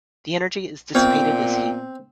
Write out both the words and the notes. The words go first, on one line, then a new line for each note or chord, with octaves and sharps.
The energy is dissipated as heat.
A#2 B3 C4 G5